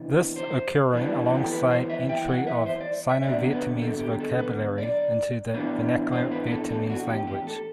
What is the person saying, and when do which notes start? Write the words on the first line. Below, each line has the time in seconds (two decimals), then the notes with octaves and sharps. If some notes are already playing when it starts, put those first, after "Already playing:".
This occurring alongside entry of Sino-Vietnamese vocabulary into the vernacular Vietnamese language.
Already playing: C3 E3 B3 D4
0.36 C5
0.93 E3 G3 B3 D4
1.26 F#4
1.34 G4
1.43 A4
1.51 B4
1.70 C5
1.90 E5
2.09 G5
2.28 F#5
2.47 E5
2.66 C5
2.81 D5
3.10 E5
3.24 D3 F#3 B3 D5
3.52 B4
3.82 A4
4.01 G4
4.20 A4
4.39 B4
4.78 D5
5.54 A2 E3 B3 D4
6.12 C5
6.31 B4
6.51 A4
6.70 A4
6.90 F#4
7.09 G4
7.27 G4
7.47 A4